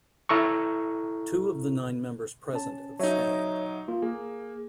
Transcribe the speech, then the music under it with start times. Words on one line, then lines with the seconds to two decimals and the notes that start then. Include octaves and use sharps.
Two of the nine members present abstained.
0.29 E4 A4 A#5 C#6
2.53 C#4 A5
2.99 F#3 D#4 C#5 E5
3.88 A#3 F4
4.02 A#3 G#4